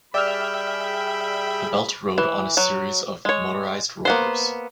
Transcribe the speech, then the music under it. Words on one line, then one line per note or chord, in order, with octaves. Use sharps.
The belt rode on a series of motorized rollers.
G3 G#4 D5 E5 G5 B5 E6 F6
E3
F#3
G#3 C#5
A#3 B3 C5